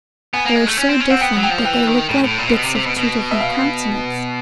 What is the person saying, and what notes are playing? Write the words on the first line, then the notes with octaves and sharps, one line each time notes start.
They are so different, that they look like bits of two different continents.
B3 G#5
A#3
G#3
A3
C#4
C4
C#4
C4 F#5
B3 G5
F#3
G5
F3
E3 G5
D#3
A2
A2
A#2
C3
B2
C3
C3
B2
B2
E5
F5